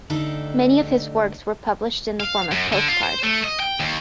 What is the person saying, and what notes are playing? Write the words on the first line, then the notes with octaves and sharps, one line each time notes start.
Many of his works were published in the form of postcards.
D2 D4 D#4 G4 A4
F5
F#2
D3
F4
C5
A3
D#5
G5
D#2